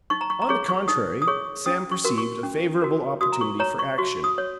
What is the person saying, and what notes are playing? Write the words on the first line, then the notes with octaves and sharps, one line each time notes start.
On the contrary, Sam perceived a favourable opportunity for action.
D#4 C#6
A#5
C#6
A#5
G#4 C#5 C#6
C#6
D#4 D#6
D#6
G#4 C#5 C#6
C#4 D#6
C#6
F#4 A#4
C#6
C#4
F#4 A#4
F#4 D#6
A#5
C#6
C#5 A#5
C#6
F#4 C#6
D#6
C#5